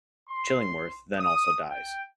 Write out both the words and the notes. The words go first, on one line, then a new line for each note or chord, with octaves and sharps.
Chillingworth then also dies.
C6
D#6
G5